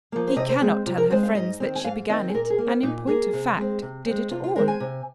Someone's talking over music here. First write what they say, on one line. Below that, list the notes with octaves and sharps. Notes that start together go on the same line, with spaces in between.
He cannot tell her friends that she began it, and in point of fact did it all.
F3 A#3
C5
C3 D#5
C5
G#3 C4 G#4
C3 F4
A#4
G#3 C4 C5
F5
G#2 D#5
D#3 C4
G#5
G#2 F5
D#3 C4 D#5
G#4
A#2 A#4
G#4
A#3
C4
A#2 D#4
A#3 G#4
C3
G#3 C4
C3
G#3 C4
C3 F4
F4
G#3 C4 A#4
G#5
C3